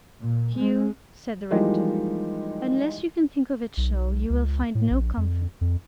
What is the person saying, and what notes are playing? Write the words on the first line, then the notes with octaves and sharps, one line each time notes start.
"Hugh," said the rector, "unless you can think of it so, you will find no comfort."
A#2
G#3
E3 F3 G3 G#3 A#3 D#4
B1
C#2
A2
A#1
F2
F2